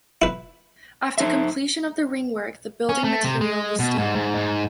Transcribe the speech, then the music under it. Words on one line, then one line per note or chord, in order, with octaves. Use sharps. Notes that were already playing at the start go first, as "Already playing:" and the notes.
After completion of the ringwork, the building material was stone.
E4 B4
D#4 C5 E5
C#4
A3
C3
G#3
B2
G#2
G#2
G#2